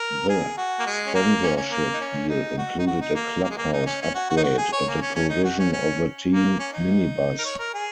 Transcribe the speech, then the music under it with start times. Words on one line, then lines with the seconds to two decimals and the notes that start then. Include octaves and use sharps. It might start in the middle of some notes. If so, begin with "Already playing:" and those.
The sponsorship deal included a clubhouse upgrade and provision of a team minibus.
Already playing: A#4
0.29 G#4
0.57 F#4
0.79 A#3
0.87 G#3
1.07 C#4
1.15 A#3
1.43 C#4
1.57 C#4
1.71 A#3
1.94 D#4
2.01 C#4
2.29 D#4
2.58 F#4
2.79 D#4
2.87 F#4
3.01 D#4
3.15 A#3
3.44 A#3
3.50 G#3
3.58 A#3
3.73 D#4
3.86 C#4
4.02 C#4
4.15 F#4
4.30 F#4
4.37 D#4
4.44 F#4
4.58 G#4
4.72 C#5
4.87 A#3
5.02 C#4
5.15 C#4
5.30 D#4
5.44 F#4
5.59 C#4
5.73 C#4
6.30 A#3
6.59 C#4
6.73 D#4
7.39 A#4
7.45 C#5
7.59 A#4
7.74 G#4